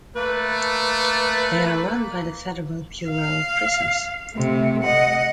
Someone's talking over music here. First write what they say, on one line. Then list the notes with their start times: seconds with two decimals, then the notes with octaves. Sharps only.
They are run by the Federal Bureau of Prisons.
0.16 A3 A#3 B4
3.10 F5
4.34 C3 A3
4.84 D#5 F#5